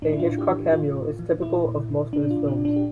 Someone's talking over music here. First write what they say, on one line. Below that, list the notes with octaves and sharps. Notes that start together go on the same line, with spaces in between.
A Hitchcock cameo is typical of most of his films.
A2 D4
E4
F4
A2
G4
E3
A2 F4
A2
E3
A#2 E4
A#2
A#2
A#2 D4
F4
A#2
D4
A#2
D4
G4